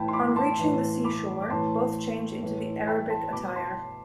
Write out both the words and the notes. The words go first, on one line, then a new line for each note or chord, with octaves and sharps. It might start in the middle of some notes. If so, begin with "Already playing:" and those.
On reaching the sea shore, both change into the Arabic attire.
Already playing: A2 E3 G5 A5 B5
C6
B5 D6
A5 C6
A2 E3
B5 D6
D6
A2 E3 A5 C6
A2 E3
G5 B5
A5 C6
B2 B5 D6
A5 C6